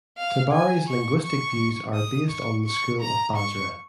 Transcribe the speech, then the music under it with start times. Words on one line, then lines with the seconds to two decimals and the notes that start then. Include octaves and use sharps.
Tabari's linguistic views are based on the school of Basra.
0.18 F5
0.52 G#5
0.88 C#6
1.23 C#6
1.94 D#6
2.30 C#6
2.66 C#6
3.01 A#5
3.36 C#6